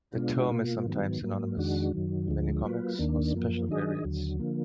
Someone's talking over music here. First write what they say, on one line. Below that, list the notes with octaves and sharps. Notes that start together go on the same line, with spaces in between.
The term is sometimes synonymous with minicomics or special variants.
B2 G#3 B3 D4 F4
B2 A#3 F4
G#2 D#3 F#3 B3
G#2 F#3 A#3
F2 D#3 G#3 D4 F#4
F#2 D#3 F#3
D2 D3 F3 G#3
F#3 A#3 F4 B4
D#2 D#3 A#3 D4
F#2 F3 A#3
D#3 F#3 D4 G#4 D#5
D#2 D3 F#3
D3 F3 A#3